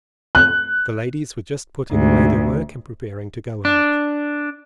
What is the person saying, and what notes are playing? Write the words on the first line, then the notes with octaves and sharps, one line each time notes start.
The ladies were just putting away their work and preparing to go out.
F#6
D2 G#2
D4